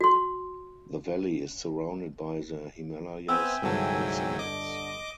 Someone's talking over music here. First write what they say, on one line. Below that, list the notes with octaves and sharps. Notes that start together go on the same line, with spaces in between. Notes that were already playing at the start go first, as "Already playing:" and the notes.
The valley is surrounded by the Himalayas on all sides.
F#4 C6
B3 C4 B4 E5 G5 G#5 E6
G1 C2 G#2 F#3 A5
D3 D#5 D6